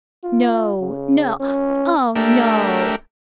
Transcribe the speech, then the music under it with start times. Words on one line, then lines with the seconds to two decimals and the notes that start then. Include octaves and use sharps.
"No, no--oh, no!"
0.24 F4
0.81 C#3
1.40 C#4
2.16 A3 D4 G4 A#4 E5